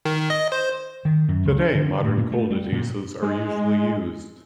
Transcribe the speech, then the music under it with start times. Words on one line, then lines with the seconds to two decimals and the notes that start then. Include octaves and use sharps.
Today modern cold adhesives are usually used.
0.05 D#3
0.30 D#5
0.52 C5
1.05 D#3
1.29 F#2
1.45 C#2
1.60 D4
1.75 D3
2.04 A2
2.18 A#2
2.32 A3
2.50 G3
2.72 A#2
3.22 G#3